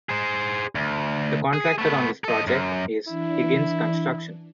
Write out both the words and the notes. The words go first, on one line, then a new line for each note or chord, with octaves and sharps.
The contractor on this project is Higgins Construction.
G#4 C5
D2
G#4
A3 B3
A4 D#5
F#2
E3 D4 E4